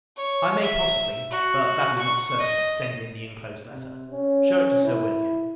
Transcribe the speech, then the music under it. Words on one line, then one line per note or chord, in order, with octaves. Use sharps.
I may possibly, but that is not certain, send in the inclosed letter. Shew it to Sir William.
C#5
E5
F#4
C#6
D#5
C3
C#4
E4